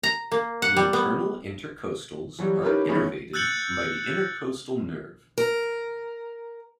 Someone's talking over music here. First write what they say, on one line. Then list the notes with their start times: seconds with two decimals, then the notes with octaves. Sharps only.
The internal intercostals are innervated by the intercostal nerve.
0.03 A#5
0.32 A#3
0.62 F#5
0.76 G3
0.93 B3
2.39 E3 F#3 G3
2.62 C#4 D#4 E4 G4 A#4 B4
2.88 D#3 E3 G#3 B3 C#4 E4
3.33 E6 F#6 G6 A6 C#7 F#7
5.38 A#4